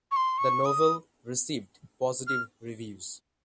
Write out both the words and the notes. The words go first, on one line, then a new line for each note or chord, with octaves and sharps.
The novel received positive reviews.
C#6
C6
C#6
D#6
F6